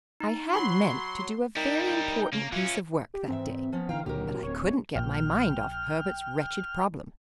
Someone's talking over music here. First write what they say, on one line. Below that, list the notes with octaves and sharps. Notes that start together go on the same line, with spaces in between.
I had meant to do a very important piece of work that day, but I couldn't get my mind off Herbert's wretched problem.
D#4
F#3 B5 C6
G3 D#4 E4 A#4 G5
C#3 A#3
E3 C#4 F4
G4
G#2 E3 C4 E5
F3 B3 C#4
D3 E3 F5 G5 A#5
C#2 A#2 D3 F#3 G4 A#4
D1 C4 C#5
A#1 A#2 G5 F6